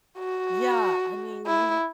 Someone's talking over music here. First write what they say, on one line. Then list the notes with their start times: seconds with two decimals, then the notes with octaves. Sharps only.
Yeah, I mean
0.18 F#4
1.47 E4